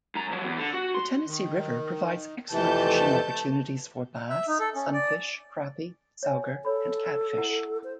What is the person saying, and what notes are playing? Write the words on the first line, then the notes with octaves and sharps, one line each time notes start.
The Tennessee River provides excellent fishing opportunities for bass, sunfish, crappie, sauger, and catfish.
F#2 A#5
F3 F#3
E2
D3
F#4
C6
D#3
F2 C3 E3 A3 A5 G6
E5
D#4
A4
C#4
D5
C#5 E5 G#5
A4 C#5 B5
E4 E5 F#5
C5